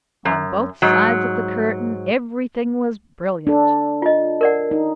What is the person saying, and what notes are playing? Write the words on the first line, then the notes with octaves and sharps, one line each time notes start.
On both sides of the curtain everything was brilliant.
F#2
G#2 F#3
D4 A4
F4 D#5
A#4 D5 F#5
D#4